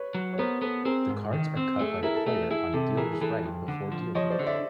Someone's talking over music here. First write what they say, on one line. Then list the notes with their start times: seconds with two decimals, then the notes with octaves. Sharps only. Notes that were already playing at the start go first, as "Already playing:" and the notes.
The cards are cut by the player on dealer's right before dealing.
Already playing: B4 C#5
0.15 F#3
0.33 C#5
0.39 B3 A#4 C5
0.62 B3 A4 B4
0.85 C4 G#4 A#4
1.09 G#2
1.33 D#3
1.57 C4
1.79 A3 G#4
1.92 A4
2.03 E4 G#4 A#4
2.15 A4
2.26 A3 G#4
2.50 E4 G#4
2.74 C3 A4
2.97 E3 G#4 A#4
3.11 G#4
3.21 E3 A4
3.45 F2
3.68 D3
3.92 F3
4.15 F3 C#5 D#5
4.30 C5 D5
4.39 D3
4.46 D5 E5